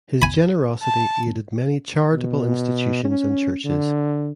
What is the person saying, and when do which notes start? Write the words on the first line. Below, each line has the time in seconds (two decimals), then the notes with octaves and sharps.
His generosity aided many charitable institutions and churches.
0.22 G#5 B5
0.83 A5
2.13 B2
3.05 C#4
3.64 D3